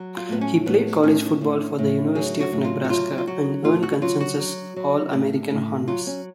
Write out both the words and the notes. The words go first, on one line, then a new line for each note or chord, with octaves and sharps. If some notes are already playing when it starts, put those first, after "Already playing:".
He played college football for the University of Nebraska, and earned consensus All-American honors.
Already playing: F#3
F4
A2 B3
C#4
A2 B3
A2 C#4
A2
A2
F#3 G#4
F#4
A2
F4
F#4
F#3 F4
F4
F#3 F#4
A2 F4
F#4
F#3 F4
F#4
F#3
F#3
A2
A2
F#3 F4
C#4